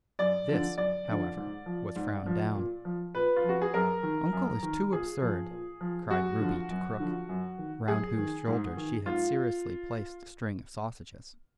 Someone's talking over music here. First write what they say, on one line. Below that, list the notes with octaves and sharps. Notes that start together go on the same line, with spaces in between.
This, however, was frowned down. "Uncle is too absurd," cried Ruby to Crook, round whose shoulders she had seriously placed a string of sausages.
F#2 D5
D3 F3
F#2 D5
D3 F3
G#2
F3
G#2
F3
A#2
F3
A#2 B4
F4
F3
F#4
G#4
F#2 A#4
D#3
F#2
D#3
A#2 G#4
F3
A#2
F3
F#2 F#4
D3 F3
F#2
D3 F3
F#2
D#3
F#2 G#4
D#3
G#2
D#3
G#2 F4